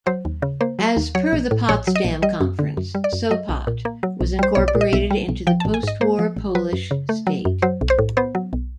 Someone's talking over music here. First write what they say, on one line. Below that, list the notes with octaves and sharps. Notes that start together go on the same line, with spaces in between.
As per the Potsdam Conference, Sopot was incorporated into the post-war Polish state.
F#3 C5
D#2
C#3
A#3 C5
F#3
D#2
F#3 C#5
A#1
A2
A#1 C#5
F#3
D#5
A#1
G3 D#5
F#2
D3
F#2
G3
D5
F#2
F#3 D#5
B1
A#2
A#3
F#3
B1
G3 C5
B1 C#5
D5
A#2
D#5
B1 E5
G3
B1
F3 G5
A5
A1
G#5
G#2 D#5
A#3 C5
F3
A1
F#3 B4
F#2
C#3
A3
F#3
F#2
F#3 C5
B1
C5
A2
B3 C5
F#3
B1